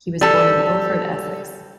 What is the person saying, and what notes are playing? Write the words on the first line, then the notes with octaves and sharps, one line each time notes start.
He was born in Ilford, Essex.
G3 A4